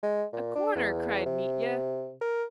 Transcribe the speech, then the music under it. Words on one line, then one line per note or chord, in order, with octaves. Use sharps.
"A corner!" cried Mitya.
G#3
A#2
D4
E2
C3
A#4